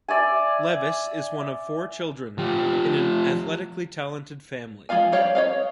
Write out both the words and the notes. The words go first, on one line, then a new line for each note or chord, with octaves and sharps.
Levis is one of four children in an athletically talented family.
D5 E5 G#5
F3 G4
F3 G#3 F4 F5 G#5
G3 G4 C#5 F5
C#5 D#5 F5